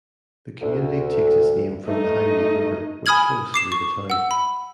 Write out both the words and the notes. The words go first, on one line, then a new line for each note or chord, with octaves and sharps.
The community takes its name from the Highwood River, which flows through the town.
D2
A3 D#4 D#5
G#5 B5 D#6 F6 G#6 F#7
D6 C7 E7
C#6
F#5 E6
B5